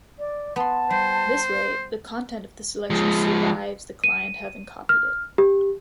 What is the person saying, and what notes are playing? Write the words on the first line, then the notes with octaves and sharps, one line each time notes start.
This way, the content of the selection survives the client having copied it.
D5
B3 A5 C6
G3 C5
F3 G#3
D#7
F6
G4